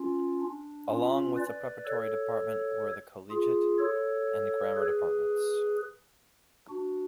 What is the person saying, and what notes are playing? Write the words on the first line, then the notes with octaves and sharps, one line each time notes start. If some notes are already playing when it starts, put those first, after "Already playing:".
Along with the Preparatory department were the Collegiate and Grammar departments.
Already playing: C#4 F4
D4
C#4 F4
B4 D5
A4 C#5
F4 G#4
A4 C#5
G#4 B4
D4 F#4